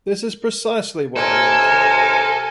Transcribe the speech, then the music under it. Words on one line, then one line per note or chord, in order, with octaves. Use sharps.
This is precisely what I wanted.
D#2 C3 A4 A#4 G#5